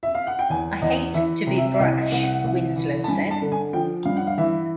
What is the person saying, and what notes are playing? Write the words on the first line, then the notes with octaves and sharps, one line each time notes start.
"I hate to be brash", Winslow said.
E5
F5
F#5
G5
E2 G#5
E2 D#5
E3 E5
C3
E5
E5
C2 D#5
D#5
C2
F#5
C2
E3
A5
G2 G#5
A5
D3
G#5
F3 G5
G2 F5
F#5
F5
E3 E5